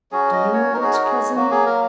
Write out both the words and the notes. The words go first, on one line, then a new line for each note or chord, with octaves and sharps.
Do you know what, cousin?
F#3 C#4 F#4 G#4
D#5
C#5
F#3 D#4 F#4 A#4
G#4
A#4
G#4
F#3 A#3 F#4
G#4
A#4